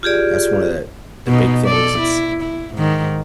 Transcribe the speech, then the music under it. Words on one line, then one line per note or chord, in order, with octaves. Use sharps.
That's one of the, the big things it's,
F4 G4 G#4 D5
B2 D#4
A4 D5
E4
E4
G#2 D#3